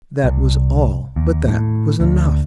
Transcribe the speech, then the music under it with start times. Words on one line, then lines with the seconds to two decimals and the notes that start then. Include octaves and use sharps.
That was all, but that was enough.
0.24 C2
1.16 D#2
1.48 A2
2.00 D2